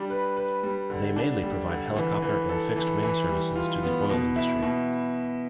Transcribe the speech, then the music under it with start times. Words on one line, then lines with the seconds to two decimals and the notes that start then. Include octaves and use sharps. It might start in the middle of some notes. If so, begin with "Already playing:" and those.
They mainly provide helicopter and fixed-wing services to the oil industry.
Already playing: G3 D4
0.10 B4
0.37 B4
0.63 G3
0.90 D3
1.16 D4
1.43 G3
1.70 D3
1.96 E3
2.22 E3
2.49 A4
2.76 E3
3.03 E3
3.29 G3
3.56 F4
3.83 B3
4.10 B2
4.36 E4
4.63 B2